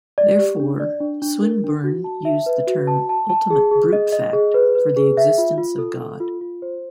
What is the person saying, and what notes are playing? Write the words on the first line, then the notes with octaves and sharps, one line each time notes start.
Therefore, Swinburne used the term "ultimate brute fact" for the existence of God.
D5
G4
D4
D5
D4
D4
A#4
D4
F#4
A5
E5
B4
F#4
A5
A5
A5
G#4
G#4
D#5
D#5
G#4
B4
B4
G#4
E5
F4
F4
A4
A4
F4
F4
C5